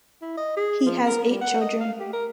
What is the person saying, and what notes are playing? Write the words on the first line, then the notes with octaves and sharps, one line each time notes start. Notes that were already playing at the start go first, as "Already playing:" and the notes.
He has eight children.
E4
D#5
G#4
F3
A#4
G3
F#5
D#5
F5
G4
A#4